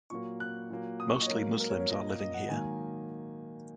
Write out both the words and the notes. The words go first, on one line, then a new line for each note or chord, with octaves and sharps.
Mostly Muslims are living here.
A#2 F#3 A#3 C#6
F#6
A#2 F#3 A#3
D#6
C#6
D#5
C#5
G#2 F#3 A#3 A#4
A#4
C#5
C#5
A#2 A#3 D#5
D#5
F#5
G#2 D#3 F#3 A#3 G#5